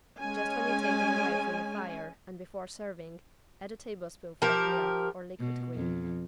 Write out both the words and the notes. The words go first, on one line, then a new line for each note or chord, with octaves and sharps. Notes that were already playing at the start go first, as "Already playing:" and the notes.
Just when you take them away from the fire and before serving add a tablespoonful of milk or liquid cream.
G#3 C#4 G#5
F3 G4 A#4
B2
F2